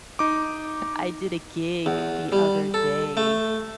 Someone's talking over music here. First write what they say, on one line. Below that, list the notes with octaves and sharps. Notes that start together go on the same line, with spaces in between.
I did a gig the other day
D#4 D6
E2
G3
A4
A3